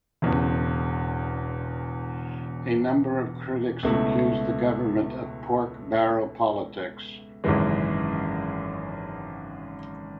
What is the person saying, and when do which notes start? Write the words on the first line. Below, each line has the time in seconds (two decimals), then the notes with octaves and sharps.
A number of critics accused the government of "pork barrel politics".
0.22 E1 E2 C#3
3.83 C#2 B2 A3 E4
7.44 G#1 F#2 C#3 E3 G#3